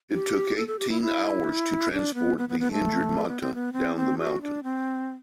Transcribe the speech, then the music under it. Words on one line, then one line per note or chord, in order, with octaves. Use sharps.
It took eighteen hours to transport the injured Mata down the mountain.
G4
A4
A4
G4
E4
E4
D4
B3
B3
B3
B3
A3
B3
C4
B3
C4
C4
F#4
D4
C4